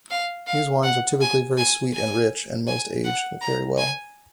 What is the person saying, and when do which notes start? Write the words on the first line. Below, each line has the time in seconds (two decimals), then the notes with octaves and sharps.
These wines are typically very sweet and rich, and most age very well.
0.10 F5
0.47 F5
0.83 F#5
1.21 G#5
1.58 G#5
1.94 G#5
2.67 G#5
3.04 F#5
3.41 A#5
3.78 G#5